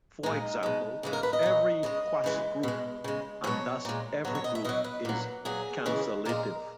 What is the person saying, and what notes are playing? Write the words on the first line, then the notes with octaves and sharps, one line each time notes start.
For example, every quasigroup, and thus every group, is cancellative.
A#2 G#3 D#4
B2 G#3
C#3 E3 G#3
A#4
B4
D#5
A#2 F#3
C#3 G#3 D#5
C#3 E3 G#3
B2 G#3
C#3 G#3
B2 F#3 C#5
A#2 G#3
B2 F#3 C#5
C#5
D#5
E5
B2 F#3 D#5
B4
A#2 F#3
A#2 F#3 G#4
C#3 E3 G#3
A#2 G#3 A#4